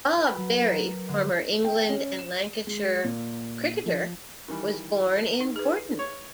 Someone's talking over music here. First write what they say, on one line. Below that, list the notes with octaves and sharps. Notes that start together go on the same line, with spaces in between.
Bob Berry, former England and Lancashire cricketer, was born in Gorton.
B4
F#3
A#4
D3
G5
C#4
E7
G#3
A#2
F3
D#3 E3 G3
A4
D#4
G#4 B4
C#5